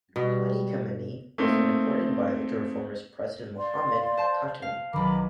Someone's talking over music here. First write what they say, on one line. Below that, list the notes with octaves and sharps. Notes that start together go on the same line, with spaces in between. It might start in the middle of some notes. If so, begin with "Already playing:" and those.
Hadi Khamenei was an important adviser to reformist President Mohammad Khatami.
B2 G3
A3 A#3 C4 D#4
D5 F5 C6
C5 A5
F5
B1 D#3 A#5 B5 D6